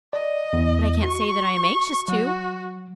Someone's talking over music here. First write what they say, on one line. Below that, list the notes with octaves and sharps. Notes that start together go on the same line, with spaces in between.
But I can't say that I am anxious to.
D5 D#5
E2
F#4 C#6
F#3 F#4